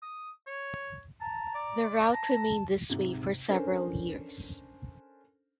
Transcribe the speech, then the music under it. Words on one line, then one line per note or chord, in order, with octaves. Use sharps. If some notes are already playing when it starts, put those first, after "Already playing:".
The route remained this way for several years.
D#6
C#5
A5 A#5
D5
A5 A#5
G#2 C3
C#4 D4 A4 A#4 C5